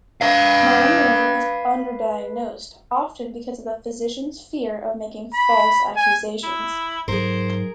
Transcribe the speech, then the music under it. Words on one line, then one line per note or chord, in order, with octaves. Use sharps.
Malingering is underdiagnosed, often because of the physician's fear of making false accusations.
B4 F5
B5
G#5
E4
G#2 F#3 G#4 A#4 C5